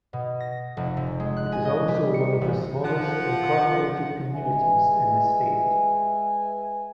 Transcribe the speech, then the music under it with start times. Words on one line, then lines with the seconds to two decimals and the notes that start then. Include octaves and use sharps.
It is also one of the smallest incorporated communities in the state.
0.13 B2
0.40 A#6
0.77 F1
0.97 C3
1.20 G#3
1.37 F#6
1.52 G#5
1.65 D#5
1.88 G3
2.14 C#7
2.41 A1
2.83 F3 F#5
4.34 G#3 B4 E5 G#5